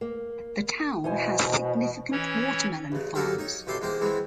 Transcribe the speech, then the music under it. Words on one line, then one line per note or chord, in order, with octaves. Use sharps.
The town has significant watermelon farms.
A#3
B2 E3 C5 G#5
E3 C#4 C#5
A1 C#3
F#3 A#3 D#4 G4 A4 A#4
D#4 C#5
B1 A2 G4 A4 C6
E2 G#3 A#3 G4 C5
E2 E3 G#3 C4 E4